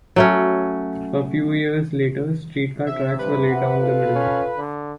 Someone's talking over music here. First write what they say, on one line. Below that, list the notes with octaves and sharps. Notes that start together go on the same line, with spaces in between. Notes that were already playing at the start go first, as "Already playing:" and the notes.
A few years later streetcar tracks were laid down the middle.
F#3 A3 C#4
C3 E5
G2 B4
E5 F#5
F4 A4 F5
C#4
D3